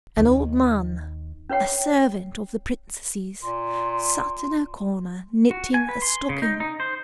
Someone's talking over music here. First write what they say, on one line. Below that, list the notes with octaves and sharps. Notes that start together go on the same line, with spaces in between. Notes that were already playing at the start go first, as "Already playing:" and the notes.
An old man, a servant of the princesses, sat in a corner knitting a stocking.
D#2 D#3
C#4 B4 C#5 F#5 G5
A#2 C6
F#4
G#5
B4
C6
C#3
D#4
D#4
C5